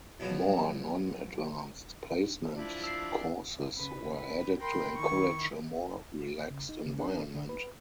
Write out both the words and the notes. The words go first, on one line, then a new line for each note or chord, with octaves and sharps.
More non-Advanced Placement courses were added to encourage a more relaxed environment.
E2 B2 F3 F#3
F3 D4 E4
E6 C7
C#3 B4
B4
A#4 G5 B5 C6
D#3 E4 C#6
C#3
D#4
C#3
D4
D3
B4